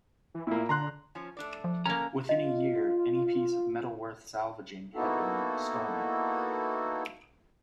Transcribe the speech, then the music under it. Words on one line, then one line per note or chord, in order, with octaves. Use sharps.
Within a year, any piece of metal worth salvaging had been stolen.
E3
A#2 A#3 E4
D3 A#5 C6 F#6
F3 C#4
A3 D4 D5
F3
D3 A#3 C#4 A#4 A#5
F4 D#5
A#3 B3 D#4 E4 F#4 A4